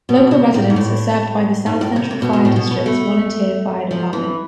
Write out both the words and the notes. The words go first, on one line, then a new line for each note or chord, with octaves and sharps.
Local residents are served by the South Central Fire District's volunteer fire department.
B2
C3
A2
G#2
A2
G#2
A2
C3
C3
B2
B2
A2
B2
B2
A3
F3
E3